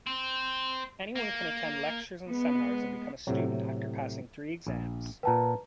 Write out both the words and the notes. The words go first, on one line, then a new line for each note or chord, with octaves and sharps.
Anyone can attend lectures and seminars and become a student after passing three exams.
C4
A#3
G#3 B3
A2 C3 F#3
A#1
A#2 B4 F#5 G5 A5 A#5